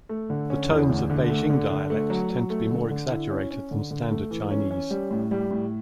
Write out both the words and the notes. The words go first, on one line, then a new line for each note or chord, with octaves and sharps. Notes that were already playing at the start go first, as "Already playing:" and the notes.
The tones of Beijing dialect tend to be more exaggerated than Standard Chinese.
A3
D3
C#4
E2
D2
D3
A3
D3
D3
A3
F#3
F#3
A3
D3
D3
E4
C#4
C#4
D3
D3
A3
E3
C#4
C#4
G3
A2
G3
A2